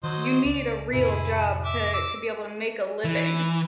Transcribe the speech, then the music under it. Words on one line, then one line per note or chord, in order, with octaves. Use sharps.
you need a real job to to be able to make a living.
D#3 F#3 C5 D#5
C#2 D5
F2 A2 C3 E4 G#4
E5 D6
D6 E6
E3